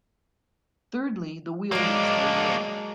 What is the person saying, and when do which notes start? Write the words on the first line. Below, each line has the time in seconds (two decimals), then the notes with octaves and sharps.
Thirdly, the wheel which they roll.
1.72 F#3 G#3 A#3 D4